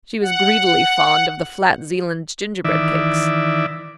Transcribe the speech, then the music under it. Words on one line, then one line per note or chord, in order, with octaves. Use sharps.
She was greedily fond of the flat Zealand gingerbread cakes.
F#5
D#3 E3 D5 E5